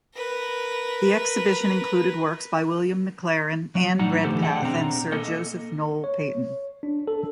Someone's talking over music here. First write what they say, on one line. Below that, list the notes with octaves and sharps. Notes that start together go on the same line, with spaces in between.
The exhibition included works by William McLaren, Anne Redpath and Sir Joseph Noel Paton.
A#4 B4
F#3
A2 D#4 D5 F#5 A#5
D3 E3 A3 G4 A4 C5
G#4 D#5 F#5 G5
B2 C4 D4 A#5
A#3 A4 D#5
C#5
D4
A4